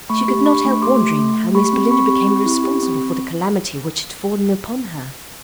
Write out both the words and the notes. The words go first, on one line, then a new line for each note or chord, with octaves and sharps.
She could not help wondering how Miss Belinda became responsible for the calamity which had fallen upon her.
A3 B5 C#6
G4
D4 B5 C#6
A3
G4 C6 D6
A3
A3
A3
G4 B5 C#6
C4
C4 B5 C#6
G4
C4
E4
G4
C4